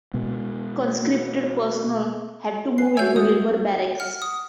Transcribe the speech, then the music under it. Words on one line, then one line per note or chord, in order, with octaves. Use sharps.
Conscripted personnel had to move into labour barracks.
B2 G#3 B3
B4 G#5 C7
F#4 C#5 E5 G#5 E6 G6
G#3 F#4 D#6
F#5 F6
D#6